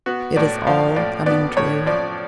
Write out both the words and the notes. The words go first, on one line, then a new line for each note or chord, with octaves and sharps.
It is all coming true.
B3 F#4
A2 D5
F3 F5
A2 D5
B3 D5
A2 C#5
F3 D5